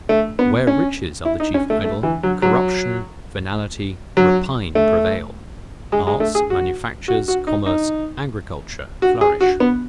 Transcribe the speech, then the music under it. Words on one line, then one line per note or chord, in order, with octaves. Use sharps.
Where riches are the chief idol, corruption, venality, rapine prevail: arts, manufactures, commerce, agriculture flourish.
A3
B3
C#4
E4
D#4
C#4
A3
A3
E3
F#3
F#3
F#3
A3
G#3
G#3
A3
G#4
F#4
F#4
F#4
D#4
D#4
F#4
G#4
F#4
B3